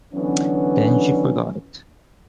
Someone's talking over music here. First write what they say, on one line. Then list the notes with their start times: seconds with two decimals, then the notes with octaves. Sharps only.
Then she forgot it.
0.14 D3 E3 F#3 B3 C#4